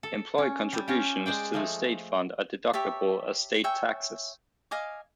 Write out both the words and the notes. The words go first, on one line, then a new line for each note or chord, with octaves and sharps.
Employee contributions to the state fund are deductible as state taxes.
A4
C#4
G3
C#4 F4 G4
G#3 C5 D5 G5
F3 G#3 A3
G4 C#5 E5 A5
C#5 E5 G5 G#5
D#5 F5 G#5 D6